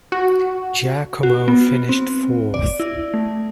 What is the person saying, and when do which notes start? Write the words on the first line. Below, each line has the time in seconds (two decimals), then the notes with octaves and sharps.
Giacomo finished fourth.
0.12 F#4
1.23 F#4
1.48 B3
1.89 C4
2.54 D5
2.80 E4
3.14 A3